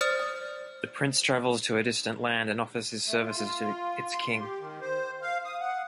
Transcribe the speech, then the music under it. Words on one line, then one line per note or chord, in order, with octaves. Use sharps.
The prince travels to a distant land and offers his services to its King.
C5 D5 D#6 F6 A6
A3
F4
F4
C6
G4
D#3
C5
F5
D#6
F#5